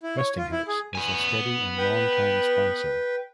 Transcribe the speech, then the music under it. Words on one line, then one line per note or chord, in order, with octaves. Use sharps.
Westinghouse was a steady and long-time sponsor.
E4
C#5
F4
E4
G#4
B3 G#5
B4 G5